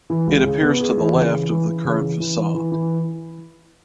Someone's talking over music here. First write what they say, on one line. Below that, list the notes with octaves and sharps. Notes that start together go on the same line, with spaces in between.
It appears to the left of the current facade.
E3
C#2
C#3
B3
G#4
E3
C#3
E3
E3
E3
C#3
E3
E3
E3
E3
E3